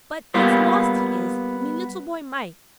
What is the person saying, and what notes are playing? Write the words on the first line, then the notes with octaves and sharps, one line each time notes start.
But it's lost he is, me little boy Mike.
G3 A#3 B3 F4